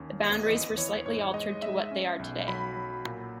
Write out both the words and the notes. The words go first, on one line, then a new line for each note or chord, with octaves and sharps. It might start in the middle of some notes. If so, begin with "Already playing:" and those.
The boundaries were slightly altered to what they are today.
Already playing: D#2 C#4
E2 D#5
E3
E3 C#5
G#2 C#5
G#3 D#5
G#3 E5
C#4
B1
F#3 B5
F#3
A#2